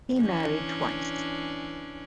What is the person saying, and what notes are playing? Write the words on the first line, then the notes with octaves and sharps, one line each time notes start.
He married twice.
E3 C#4 D4